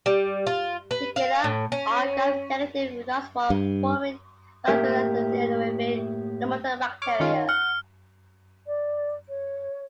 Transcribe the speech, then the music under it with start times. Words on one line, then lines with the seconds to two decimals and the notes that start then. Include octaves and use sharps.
Shigellae are Gram-negative, nonspore-forming, facultatively anaerobic, nonmotile bacteria.
0.06 G3
0.47 F4
0.91 B4
1.16 F5
1.44 A2
1.72 C#4
3.50 G2
4.68 A2 A#3 G4 A#4 E5
7.02 C#5 D6 F6
7.20 D#3 C#4 F4
7.49 F#5 F6
8.67 D5
9.29 C#5